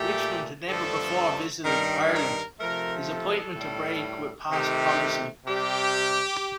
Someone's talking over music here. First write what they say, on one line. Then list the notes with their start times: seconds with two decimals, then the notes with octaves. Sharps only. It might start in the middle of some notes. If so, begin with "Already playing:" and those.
Richmond had never before visited Ireland, his appointment a break with past policy.
Already playing: A#2 A3 G4
0.68 G2 D3 F3 A3 A4
1.64 G2 D#3 G3 A#4
2.12 A#4
2.60 C3 F3 A3 A#4
3.08 A4
3.55 A2 G3
4.51 C3 D#3 A3 G4
5.46 C3 G3 G4